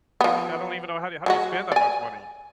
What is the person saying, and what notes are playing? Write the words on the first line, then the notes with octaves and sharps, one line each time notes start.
Yeah, I don't even know how do how do you spend that much money?
F3 B3
F#3 G#3 F#4
D5 G#5